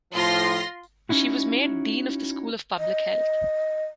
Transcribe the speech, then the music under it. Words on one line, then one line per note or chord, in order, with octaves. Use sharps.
She was made Dean of the School of Public Health.
A2 F3 F4 C6 A#6
C#4 D#4 E4 F#4
D#5